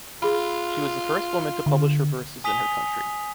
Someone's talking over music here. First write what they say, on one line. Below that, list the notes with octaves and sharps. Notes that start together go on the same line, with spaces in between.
She was the first woman to publish her verses in her country.
F4 G#4 B5
D3
G#5 D#6 B6 D#7 F7 G7